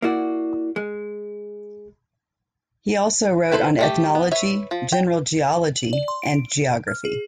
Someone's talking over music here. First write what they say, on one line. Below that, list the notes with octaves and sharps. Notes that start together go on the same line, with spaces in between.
He also wrote on ethnology, general geology, and geography.
A#3 E4 F#4 D5
G#3
E4 A4 B4 C5
G3 A3 G4
B3
B4 C#5 E5
F3
G5
F#7
D5
C6
D7
F6
G#4